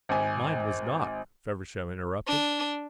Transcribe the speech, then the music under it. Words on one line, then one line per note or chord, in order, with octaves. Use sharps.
"Mine was not," Feversham interrupted.
G#1 G#5
D4